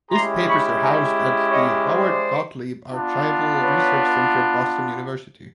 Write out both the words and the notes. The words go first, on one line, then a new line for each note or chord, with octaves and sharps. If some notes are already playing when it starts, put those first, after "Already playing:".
His papers are housed at the Howard Gotlieb Archival Research Center at Boston University.
G#3 C#4 E4 G4 A#5 C6
B5 C#6
G#5 A#5
C#5 D#5
C5 D5
B3 D4 F4
B4 C#5